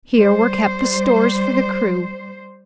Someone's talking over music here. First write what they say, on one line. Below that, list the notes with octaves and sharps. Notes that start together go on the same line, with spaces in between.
Here were kept the stores for the crew.
G3 C5